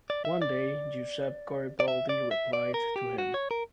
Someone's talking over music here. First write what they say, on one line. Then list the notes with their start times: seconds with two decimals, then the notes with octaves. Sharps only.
One day, Giuseppe Garibaldi replied to him.
0.10 D5
0.25 E5
0.42 D5
1.80 D5
1.88 E5
2.09 D5
2.31 E5
2.53 D5
2.74 A#4
2.96 G4
3.18 F#4
3.34 C#5
3.51 A#4